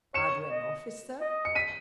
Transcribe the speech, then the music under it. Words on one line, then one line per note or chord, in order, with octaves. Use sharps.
"Are you an officer?"
C#5 C#7 E7
D#5
D#5
C#7
B6 D#7